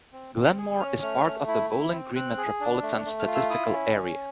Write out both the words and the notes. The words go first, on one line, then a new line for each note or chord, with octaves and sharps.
Glenmore is part of the Bowling Green Metropolitan Statistical Area.
C4
C4
G#4
C#4 F6
A3 F6
A3
E4
E4
C4
C4 F#6
G#4
D4
A3
A3
F6
F4
E6
E4 D#6
C#4
C#4